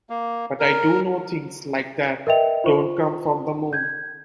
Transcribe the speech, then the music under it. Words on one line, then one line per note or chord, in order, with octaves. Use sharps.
But I do know things like that don't come from the moon.
A#3
A#4
A#4 B4 D#5 E5 G5 F7
F4 C5 C#6
G6 G#6